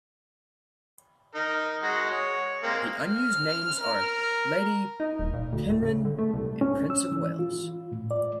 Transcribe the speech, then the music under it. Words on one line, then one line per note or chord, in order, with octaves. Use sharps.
The unused names are "Lady Penrhyn" and "Prince of Wales".
D#4 A#4
G#3 F#4
C#5
G#3 A#3 C4
F6
A#4
D#4
D#1
A#2
D2
A2
C#3
D3
A3
C2
C#4
E6
E3
F4
A2
D5